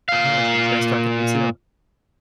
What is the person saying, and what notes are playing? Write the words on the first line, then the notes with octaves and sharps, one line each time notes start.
Yes, it was nice talking to you too.
A#2 F5